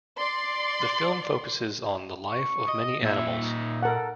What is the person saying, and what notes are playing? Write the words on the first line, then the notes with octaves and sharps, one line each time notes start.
The film focuses on the life of many animals.
D5 C6
C#6
D#5
A#2 E4 E5
D#4
A4 A#4 F#5